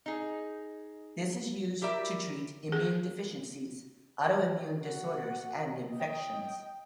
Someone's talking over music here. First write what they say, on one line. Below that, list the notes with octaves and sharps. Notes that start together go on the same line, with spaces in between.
This is used to treat immune deficiencies, autoimmune disorders, and infections.
D#4 G#4
E4 G4 A#4 D5 E5
G#4
F#4 F#5
D#5 G5